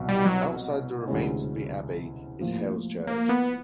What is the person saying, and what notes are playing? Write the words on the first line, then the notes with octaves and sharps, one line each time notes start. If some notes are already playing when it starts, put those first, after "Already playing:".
Outside the remains of the Abbey is Hailes Church.
Already playing: C2 B2 F#3
G3
F#3
D2 C3 E3 G#3 C#4
A2 F3 A#3
A#3
B3